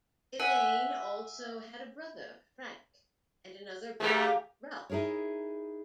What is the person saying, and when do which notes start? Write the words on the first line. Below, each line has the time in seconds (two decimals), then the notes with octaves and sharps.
Elaine also had a brother, Frank, and another brother, Ralph.
0.39 E5 F#5 G#5
4.00 A3 A#3 G4 G#4
4.90 D#4 E4 G#4 A#4 C#5